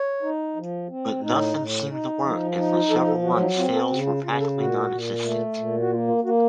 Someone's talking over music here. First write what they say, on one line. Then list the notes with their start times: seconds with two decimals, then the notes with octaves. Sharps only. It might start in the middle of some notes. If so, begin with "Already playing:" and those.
But nothing seemed to work, and for several months sales were practically non-existent.
Already playing: C#5
0.23 D#4
0.56 F3
0.90 C4
1.23 A2 D#4
1.57 A2
1.90 D#4
2.23 F3
2.57 D#4
2.73 F4
2.90 F3 A4
3.07 A4
3.24 F#3 F#4
3.34 F4
3.40 D#4
3.57 C4 F4
3.74 A4
3.90 C#3 F#4
4.07 F4
4.24 C#3 F4
4.40 A4
4.57 A#2 F#4
4.91 A#2
5.24 A3
5.57 A#2
5.80 F#4
5.91 A#3 F4
6.08 F4
6.24 A#3 F#4